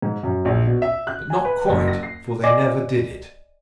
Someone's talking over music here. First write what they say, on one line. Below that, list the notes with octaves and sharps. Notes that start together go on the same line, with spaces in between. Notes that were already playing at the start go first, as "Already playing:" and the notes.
But not quite, for they never did it.
G#2
F#2
A#1
B2
E5
F#6
G#5
B4
F#1
A#6
C7
D5 D#5 G#5 D6 A#6 C7